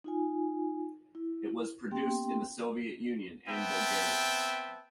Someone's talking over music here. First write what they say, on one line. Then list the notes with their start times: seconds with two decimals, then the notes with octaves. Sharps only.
It was produced in the Soviet Union and Bulgaria.
0.04 D#4 F4 G#5
1.15 E4
1.91 A#3 B3 C#4 G4 G5 C6
3.48 B3 C4 E5 G5 A5